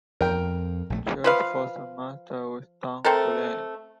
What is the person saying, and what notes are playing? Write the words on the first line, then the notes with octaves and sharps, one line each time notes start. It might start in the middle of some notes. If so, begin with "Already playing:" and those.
Choi's first master was Dong Ju Lee.
F2 A#4 G5
A#1 D3 A3
F3 B4 F5
A3 C4 A4 A#4